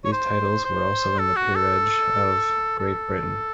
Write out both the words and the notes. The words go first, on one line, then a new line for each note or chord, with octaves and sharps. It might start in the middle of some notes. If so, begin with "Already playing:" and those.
These titles were also in the Peerage of Great Britain.
C#5
C5
C5
A4
F#4
A4
A4